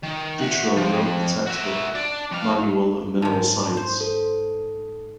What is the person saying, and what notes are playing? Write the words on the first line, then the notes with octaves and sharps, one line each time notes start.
Dutrow wrote the textbook "Manual of Mineral Science".
D#3
E5 F#5
F3 C4
F#4 E5
D4
F2 F5
G#2 D#3 A5
C5
A4